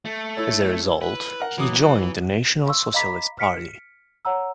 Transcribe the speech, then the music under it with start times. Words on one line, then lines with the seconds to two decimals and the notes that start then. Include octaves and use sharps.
As a result, he joined the National Socialist Party.
0.05 A3
0.37 E4 A4 C#5
1.01 B4
1.40 A#4 F#5
1.58 E3 F#3 D6 D#6
2.66 F5 C6 C#6 E6
2.94 D#5 F5 A#5 B5 D6 B6
3.39 F6 B6 C#7 D7
4.25 C#5 F#5 A#5 E6